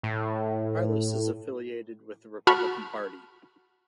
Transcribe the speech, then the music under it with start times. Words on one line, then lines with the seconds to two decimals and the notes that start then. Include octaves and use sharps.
Harless is affiliated with the Republican Party.
0.03 A2
2.47 F#4 A5 B5 C#6 F6